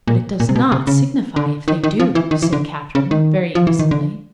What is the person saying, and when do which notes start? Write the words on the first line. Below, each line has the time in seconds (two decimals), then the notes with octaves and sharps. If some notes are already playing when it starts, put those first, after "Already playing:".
"But it does not signify if they do," said Catherine, very innocently.
0.08 A#2
0.40 A#2
0.49 C3
0.56 B2
0.72 C3
0.87 C#3
1.36 D3
1.68 D#3
1.84 D#3
2.00 F3
2.15 E3
2.31 D#3
2.42 E3
2.53 D3
2.95 C#3
3.11 D#3
3.55 F3
3.67 E3
3.79 D#3
3.91 D3